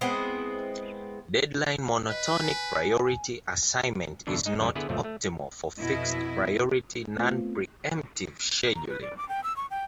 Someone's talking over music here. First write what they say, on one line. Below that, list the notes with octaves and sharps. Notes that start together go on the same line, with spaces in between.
Deadline monotonic priority assignment is not optimal for fixed priority non-pre-emptive scheduling.
G#3 B3 C4 E4
B4 D#5
G#5
E2 B2 D3 E3 D4
G#3 D#4
G#1 F2 C#3 G3
D3 B3 E4 G#4 B4
C#2 F#2 A#2 F3 A3
A3
F2 B2 E4 D#5
A3 B3 C4 F4
A#5
B4
D5
D6
G5
E6
C#6
G5